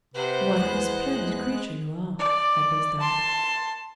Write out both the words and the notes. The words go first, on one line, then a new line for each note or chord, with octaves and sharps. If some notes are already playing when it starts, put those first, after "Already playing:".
"What a splendid creature you are!" I burst out.
C3 B4 C5 F#5
E2 G#3 B3 F#6
D5
A5 C6